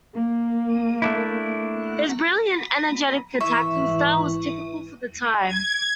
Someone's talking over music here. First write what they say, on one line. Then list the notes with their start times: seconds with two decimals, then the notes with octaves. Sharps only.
His brilliant, energetic attacking style was typical for the time.
0.16 A#3
1.02 A3 D4 E4
3.41 G#1 E3 E4 E5 C#6
5.47 G#6